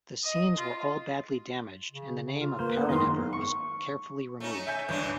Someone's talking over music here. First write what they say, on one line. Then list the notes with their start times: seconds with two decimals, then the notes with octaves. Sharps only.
The scenes were all badly damaged and the name of Parennefer was carefully removed.
0.24 D#5
0.57 F4
1.91 C#3
2.24 C#3
2.40 F4
2.59 A#3 B4 C5
2.74 B3
2.89 F#1 G#2 D#3 B3 D#5 F5 C6
3.33 C#6
4.40 A3 C#4 D#4
4.67 E5 G#5 G6
4.88 C#2 G2 E3 C#4 D4